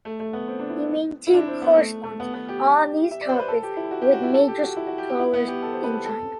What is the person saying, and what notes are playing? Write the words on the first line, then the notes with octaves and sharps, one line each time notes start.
He maintained correspondence on these topics with major scholars in China.
A3
A3
B3
C4
D4
E4
E4
D4
C4
B3
A3
A3
B3
B3
G4
E5
D5
C5
B4
A4
G4
E4
F#4
G4
F#4
E4
A4
G4
F#4
E4
F#4
G4
G4
E4
B3
G4
A4
C5
B4
A4
A4